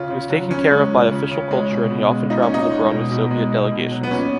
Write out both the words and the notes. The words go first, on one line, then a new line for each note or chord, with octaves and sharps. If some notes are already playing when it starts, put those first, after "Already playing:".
He was taken care of by official culture and he often travelled abroad with Soviet delegations.
Already playing: C#3 F4
C#3
F#3
C#3 C#4
G#3
F3
C#3
C#3
G#3
B2
B2
G#3
A#2 D#4
C#4
A#2 D#4
G#3
B2
B2
G#3
B2
B2
F#3
B3
A#2 C#4